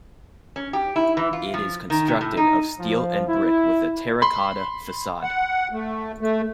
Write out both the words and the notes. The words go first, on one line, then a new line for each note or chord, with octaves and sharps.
It is constructed of steel and brick with a terra-cotta facade.
C#4
G4
E4
E3
F4
F3
D#3
C3
A2
D#4
F3
E4
B5 C6
F#5
A3
A3